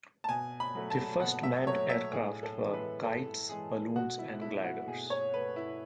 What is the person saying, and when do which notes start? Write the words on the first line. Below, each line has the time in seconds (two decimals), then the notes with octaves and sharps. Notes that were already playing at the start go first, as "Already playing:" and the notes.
The first manned aircraft were kites, balloons and gliders.
0.24 A5
0.29 B2 G#5
0.60 B5
0.75 F#3 A3
0.90 A5
1.20 B2 F#5
1.43 E5
1.66 F#3 A3 C#5
1.89 E5
2.12 A2 G#4
2.43 A4
2.58 E3 G#3
2.73 B4
3.04 A2 A4
3.49 E3 G#3 G#4
3.95 B2 F#4
4.19 E4
4.41 A3 E4
4.64 F#4
4.87 B2 G#4
5.10 C#5
5.34 A3 B4
5.56 E4